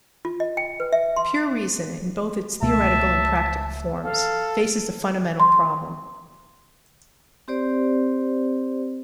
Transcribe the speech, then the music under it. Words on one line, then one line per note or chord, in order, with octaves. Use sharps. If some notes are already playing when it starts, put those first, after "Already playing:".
Pure reason, in both its theoretical and practical forms, faces a fundamental problem.
F4
D#5
G5
B4
E5
C6
C#2 B2 A3 E5 A5
A4 F5
C6
C4 G4 C5 D5